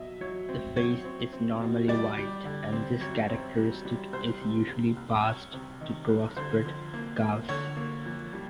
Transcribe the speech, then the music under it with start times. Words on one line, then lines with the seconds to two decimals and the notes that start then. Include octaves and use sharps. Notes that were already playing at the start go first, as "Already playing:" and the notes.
The face is normally white, and this characteristic is usually passed to crossbred calves.
Already playing: B2 F#3 D#5 E5
0.21 F#3 C#5
0.49 C4
0.77 F#3 C#5
1.05 C4
1.33 C4
1.61 B2
1.88 G3 D5
2.17 G3
2.45 D3
2.72 C4
3.00 F#2 C#5
3.29 C4
3.58 G3
3.85 G3
4.13 C2 C5
4.41 C3
4.68 C2
4.97 C2
5.25 C2 C#5
5.53 C3
5.81 D#3
6.09 C2
6.37 D3 C5
6.65 F2
6.94 A#3
7.21 A#3
7.49 D3 C#5
7.77 A#3
8.06 F2
8.33 G3